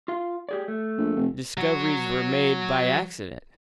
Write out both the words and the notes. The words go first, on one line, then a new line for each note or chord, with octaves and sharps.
Discoveries were made by accident.
F4 F5
G4 G#4 D5
A3
A#1
F1
F#3 F#4